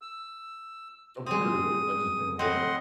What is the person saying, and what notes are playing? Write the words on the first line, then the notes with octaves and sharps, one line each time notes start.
I've heard of it. I just didn't wa
E6
G#3 C4 D#6
A2 C4 D#5 F#5 C6